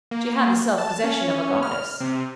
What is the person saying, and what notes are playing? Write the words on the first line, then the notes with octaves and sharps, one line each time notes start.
She had the self-possession of a goddess.
A#3
A5
C#4
F6
C3